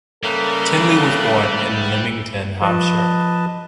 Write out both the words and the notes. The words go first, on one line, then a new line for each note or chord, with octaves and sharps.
Tinley was born in Lymington, Hampshire.
C#3 G3 A#3 A4 B4 E5
F3 B4 D#5 A5